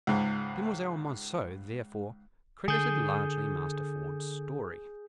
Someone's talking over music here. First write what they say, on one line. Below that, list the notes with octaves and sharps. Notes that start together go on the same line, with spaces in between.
Demoiselle Monceux therefore credited largely Master Ford's story.
C#2 G#2
D3 G#4 G6